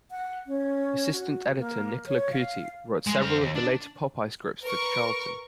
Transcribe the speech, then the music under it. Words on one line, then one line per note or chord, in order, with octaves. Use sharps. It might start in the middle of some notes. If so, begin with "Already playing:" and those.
Assistant editor Nicola Cuti wrote several of the later "Popeye" scripts for Charlton.
F#5
C#4
F#4
A#3
C#5
F5
G#3
C4 F5
D#2
D4
A#4 B4 C#6